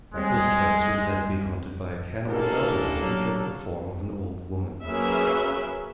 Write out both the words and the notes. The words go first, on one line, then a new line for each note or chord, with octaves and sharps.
This place was said to be haunted by a cannibal goblin who took the form of an old woman.
D#2 G3 G#3 C4
A1 B2 A#3 D4 A4 A#4
F#3 G4
F#3 A#3 C#4 G#4 B4 E5